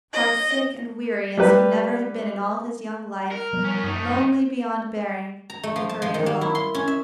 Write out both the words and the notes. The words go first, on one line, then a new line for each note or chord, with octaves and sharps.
Heartsick and weary as he never had been in all his young life, lonely beyond bearing, he hurried along.
D#5
G3 G4 B4
A#4
F3 G3 B3
C#4 A#4
F#2 A3 D#4
A#5
A3
F3
A5
F3
D#3
A#3
E4
C6
C#4
E5